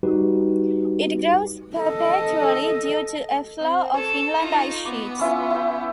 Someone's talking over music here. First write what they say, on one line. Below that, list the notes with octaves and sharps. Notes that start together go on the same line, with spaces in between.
It grows perpetually due to a flow of inland ice sheets.
G3 D#4 F#4 G4 B4
A4 D#5
C4
A4 C#5
D#4 F4
B3 D6
C#4 E4 F4
E4 G5